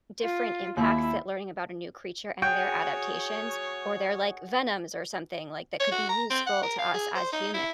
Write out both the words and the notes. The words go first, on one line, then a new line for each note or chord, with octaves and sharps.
different impacts that learning about a new creature and their adaptations or their, like, venoms or something, like, that could be useful to us as human,
F4
D#2 E4
F#4 G#4 C#5 G5 D#6
C#5
F#4
A#5
C4
F#5
A#4
F5
G#4
C5
D#4
E4